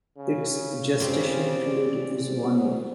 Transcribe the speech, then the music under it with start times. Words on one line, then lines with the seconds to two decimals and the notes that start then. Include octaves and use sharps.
Its gestation period is one year.
0.17 C#3
1.00 C4 G4 C5 D5
2.39 F#3